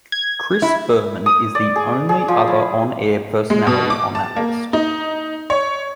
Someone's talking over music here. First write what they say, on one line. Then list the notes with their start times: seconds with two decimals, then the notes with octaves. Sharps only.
Chris Berman is the only other on-air personality on that list.
0.12 G#6
0.62 E4
1.26 D#6
1.55 D5
1.76 G#4
2.09 G#4
2.28 F3
2.47 E4
3.50 G#3
3.67 B2
3.90 D6
4.15 A5
4.36 A#3
4.73 D#4
5.50 C#5